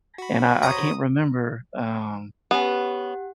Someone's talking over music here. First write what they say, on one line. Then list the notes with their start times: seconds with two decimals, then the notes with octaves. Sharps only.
And I I can't remember, um
0.18 F#4 B5
0.63 C5 C#5 A#5 D#6
2.51 B3 C#4 G4 F#5